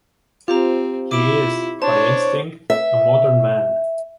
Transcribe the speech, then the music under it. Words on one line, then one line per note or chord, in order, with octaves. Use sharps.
He is, by instinct, a modern man.
C4 F4 G4 C5 A#5
E4 D6 D7
D4 C5 C#5 A5
E5